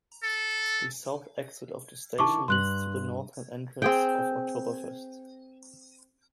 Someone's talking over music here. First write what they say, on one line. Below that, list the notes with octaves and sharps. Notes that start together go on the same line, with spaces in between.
The south exit of the station leads to the northern entrance of Oktoberfest.
A4
D#3 D4 E4 A5 C#6 D6
G2 C6 F#6 F#7
C4 G#4 G5